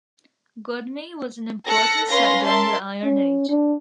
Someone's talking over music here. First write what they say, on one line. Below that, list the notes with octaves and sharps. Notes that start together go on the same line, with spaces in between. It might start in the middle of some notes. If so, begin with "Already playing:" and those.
Gudme was an important site during the Iron Age.
A4 F#6 A#6 C#7
C#4 B4 F5 C6 A#6
A#4 E5 A5 C6
C#4
D4